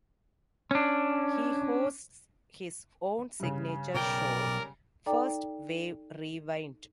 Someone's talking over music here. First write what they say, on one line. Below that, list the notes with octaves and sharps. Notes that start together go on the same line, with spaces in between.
He hosts his own signature show "First Wave Rewind".
C#4 D4
G2 C#3
B1 A#4 D5 G5
D#4 A4 D5 G5 A#5 D6